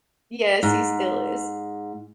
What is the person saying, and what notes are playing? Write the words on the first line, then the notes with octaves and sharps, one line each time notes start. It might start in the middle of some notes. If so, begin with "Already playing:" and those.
Yes, he still is.
G#2